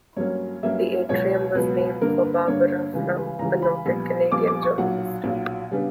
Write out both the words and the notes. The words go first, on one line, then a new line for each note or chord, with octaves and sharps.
The atrium was named for Barbara Frum, a noted Canadian journalist.
G2 F#3 A#3 C#4 C#5
G2 F#3 A#3 C#4 E5
C#2 B2 F#3 B3 C#5
C#2 B2 F#3 B3 B4
B4
G2 D3 A#3 D4 A#4
B4
G2 D3 A#3 D4 C#5
C#2 C#3 E3 G3 B4
B4
C#2 C#3 E3 G3 A#5
B5
A#1 A#2 G3 B3
A#1 A#2 G3 B3 D6
D6
C#6
B1 A#2 F#3 F#5
B1 A#2 F#3
C#3 G3 B3 D4